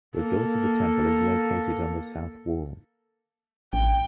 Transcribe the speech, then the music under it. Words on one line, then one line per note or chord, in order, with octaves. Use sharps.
The door to the temple is located on the south wall.
A#3 A4
A1 G5